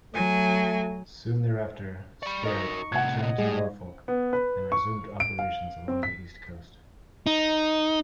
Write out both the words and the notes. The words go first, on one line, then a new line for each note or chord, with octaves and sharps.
Soon thereafter, "Sterett" returned to Norfolk and resumed operations along the east coast.
F#3 A3 G#5
D5 B5 C#6
D#4 F#4 A#4 D#5
A2 C3 F#5 G#6
D#5
A2 G3 G#3 G#4
B3
B4
C#6
D7
F5
C4
B6
D#4